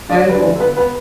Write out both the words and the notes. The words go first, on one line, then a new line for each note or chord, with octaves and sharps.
Very cool.
D2 D4 D5
G3 B4
D4 D5
D2
A4
D3 B3 B4
B3 B4